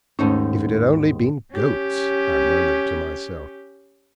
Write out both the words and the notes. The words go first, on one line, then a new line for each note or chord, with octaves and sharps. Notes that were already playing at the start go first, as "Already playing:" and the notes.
"If it had only been 'goats,'" I murmured to myself.
D#2 G#2 A3 C#4 D#4
C#4 G4